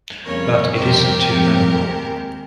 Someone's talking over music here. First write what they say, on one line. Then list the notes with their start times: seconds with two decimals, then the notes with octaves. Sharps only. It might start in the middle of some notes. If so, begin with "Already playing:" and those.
But it isn't too memorable.
0.24 F2 C#3 G3 A#3 C#4 A#4 C#5
0.74 F2 C3 G3 C4 G4 A#4
1.24 F2 C3 F3
1.74 D#2 D#3 G#3 C4